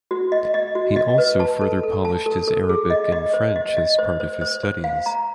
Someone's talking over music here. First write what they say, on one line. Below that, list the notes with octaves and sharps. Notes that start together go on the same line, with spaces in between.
He also further polished his Arabic and French as part of his studies.
F#4
D#5
D#5
F#4
D#5
B4
A5
A4
A4
A5
A4
A4
G#4
D#5
D#5
C5
D#5
D#5
C5
C5
C5
C5
F5
A#5